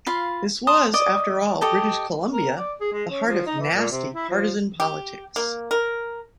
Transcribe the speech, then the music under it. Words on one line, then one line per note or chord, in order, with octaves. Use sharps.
This was, after all, British Columbia, the heart of nasty, partisan politics.
F4 F5 B5
A5 C6 D#6
D5 D#5 D#6
G4 A4 D#5 A5
A#4
D5
G#4
G#3
C#4
F3
D#4
E3
A#2
C3
E4
F3
G4
A#3
A#4